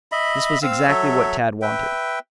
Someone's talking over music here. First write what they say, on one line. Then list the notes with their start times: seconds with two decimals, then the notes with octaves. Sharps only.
This was exactly what Tad wanted.
0.12 D#5 E5 B5
0.62 C4 F5 E6
0.88 F#3 A4 C#5 E5
1.62 B4 E5 G5